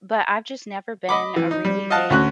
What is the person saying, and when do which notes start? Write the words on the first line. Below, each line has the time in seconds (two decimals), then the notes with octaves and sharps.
But I've just never been a really big
1.09 D#5 B5 D6
1.36 E3
1.51 D#4
1.65 G3
1.90 D#5 F5 F#5 A5
2.10 D2 C#4 F#4 F#6